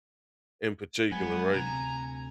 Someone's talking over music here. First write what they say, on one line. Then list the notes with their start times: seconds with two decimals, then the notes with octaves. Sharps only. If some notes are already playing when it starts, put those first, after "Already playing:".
in particular, right?
1.12 F#3 G#3 B3 G#5
1.55 D2 C3 A#5